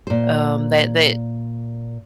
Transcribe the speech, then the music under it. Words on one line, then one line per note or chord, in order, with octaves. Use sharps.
um, that that
A#2 C5